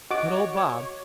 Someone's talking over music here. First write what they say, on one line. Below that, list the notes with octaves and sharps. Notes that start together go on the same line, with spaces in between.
Good old Bob!
F#4 C#5 D#5 D6